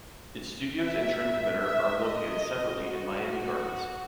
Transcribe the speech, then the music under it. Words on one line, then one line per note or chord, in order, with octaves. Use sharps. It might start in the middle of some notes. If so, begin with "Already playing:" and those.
Its studios and transmitter are located separately in Miami Gardens.
E5
E5
D#5
F#4